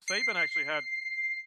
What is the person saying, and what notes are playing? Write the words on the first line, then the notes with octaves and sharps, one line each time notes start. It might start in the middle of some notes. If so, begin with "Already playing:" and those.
Saban actually had
C7